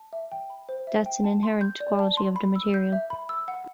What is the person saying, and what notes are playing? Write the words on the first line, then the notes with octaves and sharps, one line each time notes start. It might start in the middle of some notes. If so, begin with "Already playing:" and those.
That's an inherent quality of the material.
Already playing: A5
E5
G5
B5
C5
E5
G5
A5
C6
G6
D5
A5
C6
B5
E6
G6
E5
B5
E6
F#5